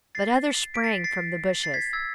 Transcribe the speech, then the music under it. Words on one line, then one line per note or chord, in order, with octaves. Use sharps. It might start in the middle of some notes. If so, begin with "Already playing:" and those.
But others sprang from the bushes.
A6 C7
B6 D7
A6 C7
A6 C7
A6 C7
G#6 B6
E6 G#6